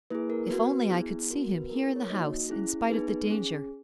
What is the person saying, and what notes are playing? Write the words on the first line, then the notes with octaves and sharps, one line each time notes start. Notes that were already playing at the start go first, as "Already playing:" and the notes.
"If only I could see him here in the house, in spite of the danger."
A#3 E4 G#4 B4
A#4
B3 F#4 B4
B3 E4 G#4
B3 F#4 A#4
A#4
B4
A#3 E4 G#4 A#4
B4
C#5
A#3 D#4 F#4 D#5
C#4 E4 G#4
B3 D#4 G#4 B4
C#4 G#4